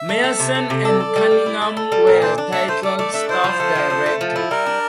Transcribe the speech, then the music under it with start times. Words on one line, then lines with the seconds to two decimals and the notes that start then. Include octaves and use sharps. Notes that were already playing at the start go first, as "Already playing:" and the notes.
Meyerson and Cunningham were titled "Staff Director".
Already playing: E5
0.09 A3
0.24 A3
0.39 C3
0.55 A3
0.70 C3
0.85 A4 D5
1.00 A4
1.16 G3
1.31 G3
1.46 E4
1.62 A4
1.77 A4
1.92 G3
2.07 A#2 A#4
2.22 D4 C5
2.38 D4
2.53 A3 E5
2.68 A3 C5
2.83 A3 D5
2.99 A3 D5
3.14 D4 E5
3.29 E4 C5
3.44 F3
3.60 A3
3.76 F3
3.90 A3
4.06 A3
4.21 F3
4.36 E4
4.51 G3 A#4
4.66 D4